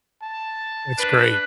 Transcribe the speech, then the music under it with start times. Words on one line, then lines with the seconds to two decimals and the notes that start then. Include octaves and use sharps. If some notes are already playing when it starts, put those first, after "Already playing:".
That's great.
0.22 A5
0.98 D4 B4